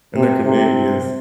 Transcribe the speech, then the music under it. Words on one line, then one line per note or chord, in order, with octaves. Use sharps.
and they're Canadians.
C3
C3